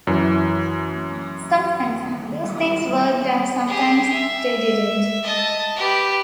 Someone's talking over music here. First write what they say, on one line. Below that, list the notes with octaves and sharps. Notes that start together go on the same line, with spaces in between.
Sometimes those things worked and sometimes they didn't.
F#2 E3
G4 G#4
E5
D#5 A5
G4 B4